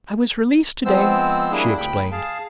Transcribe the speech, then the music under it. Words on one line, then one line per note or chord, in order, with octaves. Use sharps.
"I was released to-day," she explained.
F3 G#3 B3 C4 C5 E6
G3 A#3 D4 E4 G#4
D2 G5 B5
G#4 F5 A5